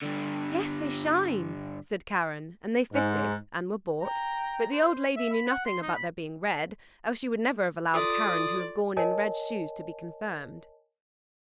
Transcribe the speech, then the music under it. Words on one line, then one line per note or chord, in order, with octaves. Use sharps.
"Yes, they shine!" said Karen, and they fitted, and were bought, but the old lady knew nothing about their being red, else she would never have allowed Karen to have gone in red shoes to be confirmed.
G2 D3
G#2
G5 A#5
C5
E5
B5
F#5
C6
D#4
B5
F4 A4 D5 C6 D#6
A#4 C#5 D#5 G#5 A5